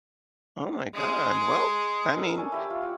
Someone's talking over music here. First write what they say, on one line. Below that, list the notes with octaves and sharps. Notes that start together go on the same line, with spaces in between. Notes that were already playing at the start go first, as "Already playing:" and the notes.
Oh my God. Well, I mean,
G#3 G#4
A4 A#4 D#5
D4 C#5 G#5 A5
E4 G4 E5
F4
F4 F#5